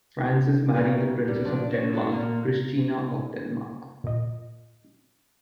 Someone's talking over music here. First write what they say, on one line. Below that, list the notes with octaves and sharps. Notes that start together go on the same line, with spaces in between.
Francis married the princess of Denmark, Christina of Denmark.
C#3 G3 A#3 E4 B4
G3 B3
D#3 F3 D4 D5
C5 C#5
C4 D4 F4 F#4 A4
A#2 A#3
A#2 D#5